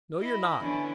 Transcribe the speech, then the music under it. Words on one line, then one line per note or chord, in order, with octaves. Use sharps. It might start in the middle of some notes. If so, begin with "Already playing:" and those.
"No, you're not."
E4 D#5 B5
D3 E3 B3 C#4 D4 E4